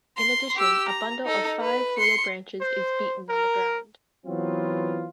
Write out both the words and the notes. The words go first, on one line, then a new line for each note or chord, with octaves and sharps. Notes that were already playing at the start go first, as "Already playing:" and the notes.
In addition, a bundle of five willow branches is beaten on the ground.
C6
G4 E6
A#5
D#4 A4
B4
C6 C#7
C5
A#4
E3 F#3 B3 C4 F4